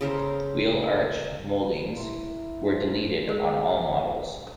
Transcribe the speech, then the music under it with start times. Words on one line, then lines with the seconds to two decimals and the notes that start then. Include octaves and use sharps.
Wheel arch moldings were deleted on all models.
0.01 C#3 A4 A#4 C5
1.97 E4 A#4 C6
2.66 C5 A5
3.29 G#3 G#4 A#4